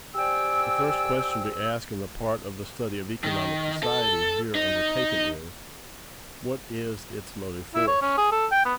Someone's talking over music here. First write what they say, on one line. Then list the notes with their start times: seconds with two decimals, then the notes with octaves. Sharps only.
The first question to ask in the part of the study of economic society here undertaken is: What is its motive force?
0.15 G4 C5 D5 G5 G#5 E6
3.24 D#3
3.83 A4
4.55 D#4
7.75 E4
7.87 C#5
8.02 C#4
8.18 G#4
8.32 A4
8.51 G5
8.65 B3